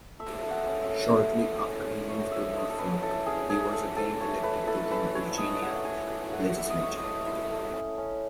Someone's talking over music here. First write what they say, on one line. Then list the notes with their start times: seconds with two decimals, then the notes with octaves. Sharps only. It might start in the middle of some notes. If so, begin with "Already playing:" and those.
Shortly after he moved to Norfolk, he was again elected to the Virginia legislature.
0.20 A3 E5
0.42 A3
0.51 F#5
0.66 C#4
0.82 E5
0.89 A3
1.14 A3
1.37 E4
1.61 C#4
1.84 C#4
2.08 A3 C#5
2.31 A3 E5
2.55 A3 D#5
2.70 A4
2.78 C#4 B4
3.02 E4 A4
3.26 C#4 G#4
3.49 A3 G#4
3.73 C#4 A4
3.96 C#4 A4
4.20 A3 C#5
4.43 A3 B4
4.67 E4 A4
4.91 C#4 B4
5.15 C#4 C#5
5.38 E4 D#5
5.62 E4 F#5
5.85 A3 G#5
6.09 A3
6.22 G#5
6.32 A3 F#5
6.56 E4 E5
6.70 D#5
6.80 E4 C#5
6.98 D#5
7.04 A3
7.26 E4
7.51 A3
7.74 C#4
7.98 C#4